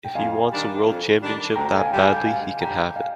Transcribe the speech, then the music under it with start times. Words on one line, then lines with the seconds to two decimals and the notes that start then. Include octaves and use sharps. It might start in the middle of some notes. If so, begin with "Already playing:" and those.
If he wants the world championship that badly he can have it.
0.05 G5
0.15 F2 F5 G#5
0.50 D#3 G3 D4
0.85 F2
1.21 D#3 G3 D4
1.55 D2 G5 A#5
1.78 F5 G#5
1.91 D3 G3 G5
2.02 F5 G#5
2.25 D2 F5 G#5
2.61 D3 G3 G5 A#5
2.96 F5 G#5